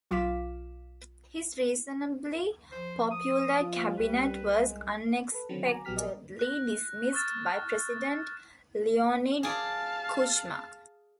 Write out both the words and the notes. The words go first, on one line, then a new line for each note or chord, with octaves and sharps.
His reasonably popular cabinet was unexpectedly dismissed by President Leonid Kuchma.
B1 F4 F5 D6 B6 E7
F3 C5
D#6
F4
C2 G3 B4
G#3
A4 B4
D3 D#3 F#3 C4
G#5 A#5 D6
A#1 F#3 B3 G4 F6 B6
G#4 A#4 D5 D#5
F#6 A#6
C#6 D#6 F6 G#6 A6 E7
G#4 D5 F5 A5